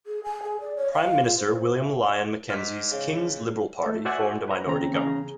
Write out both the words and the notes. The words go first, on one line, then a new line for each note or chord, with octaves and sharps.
Prime Minister William Lyon Mackenzie King's Liberal Party formed a minority government.
G#4
G#5
G#4
D5
C#5
F5
F4
C5
E5
G#2 F6 B6
C#3
A3 A4
F#4 C5 D5 E5 F#5 G#5
B4 A#5
D#2 C#3 C4 A#5
E2 C#3 G#4 A#5